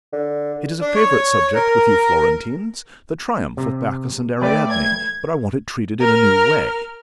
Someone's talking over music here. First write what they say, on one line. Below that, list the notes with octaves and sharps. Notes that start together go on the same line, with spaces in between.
It is a favourite subject with you Florentines--the triumph of Bacchus and Ariadne; but I want it treated in a new way.
D3
D4
C#5
A#4
C3
A3 B4 D5 G5
G#6
A#4 F6